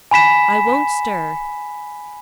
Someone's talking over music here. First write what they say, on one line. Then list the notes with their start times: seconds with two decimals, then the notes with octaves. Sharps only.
"I won't stir."
0.11 G#5 B5 B6 E7